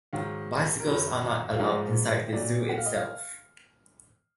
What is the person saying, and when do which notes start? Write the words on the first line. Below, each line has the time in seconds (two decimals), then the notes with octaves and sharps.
Bicycles are not allowed inside the zoo itself.
0.13 G#2 D#3 F#3 F5
0.80 A#4
0.87 F#2 D#3 F#3 B4
1.53 F4
1.60 G#2 F3 G#3 D#4
2.33 A#2 F#3 D5
2.69 F#5
2.78 F5
2.86 D#5
2.94 F5